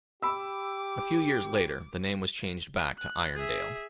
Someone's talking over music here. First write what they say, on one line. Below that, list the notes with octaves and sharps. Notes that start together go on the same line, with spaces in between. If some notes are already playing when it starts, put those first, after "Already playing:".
A few years later the name was changed back to Irondale.
G4 B5 D6 E6
F#6
G#4 E5